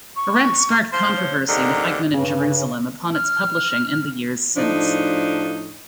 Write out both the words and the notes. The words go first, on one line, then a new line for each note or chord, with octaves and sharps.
Arendt sparked controversy with "Eichmann in Jerusalem" upon its publishing and the years since.
C#6
F3 C5 C6
C#5
D#2 G#2 D3 A#5
G2 C#3
F6
A2 F3 D4 D#4